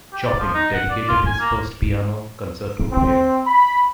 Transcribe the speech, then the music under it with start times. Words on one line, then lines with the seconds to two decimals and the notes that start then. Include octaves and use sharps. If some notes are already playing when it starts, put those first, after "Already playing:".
Chopin dedicated his first piano concerto to him.
0.13 G4
0.26 D5
0.39 F3
0.54 D#4
0.74 F#5
0.90 D5
1.09 F4
1.26 G#5
1.40 A#3
2.92 C4
3.47 B5